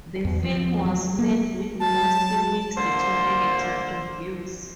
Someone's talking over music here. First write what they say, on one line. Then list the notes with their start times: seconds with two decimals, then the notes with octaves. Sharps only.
The film was met with mostly mixed to negative reviews.
0.25 E2
0.43 F3
0.85 F#3
1.19 A#3
1.80 F#3 A5
2.77 D3 A#3 C5